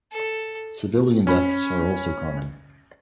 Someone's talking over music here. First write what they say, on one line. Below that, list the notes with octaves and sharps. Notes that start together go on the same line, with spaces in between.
Civilian deaths are also common.
A4
C#4 B5